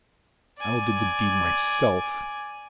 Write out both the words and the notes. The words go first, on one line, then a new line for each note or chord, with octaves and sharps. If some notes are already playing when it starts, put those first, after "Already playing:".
"I'll do the deed myself."
D5 G#5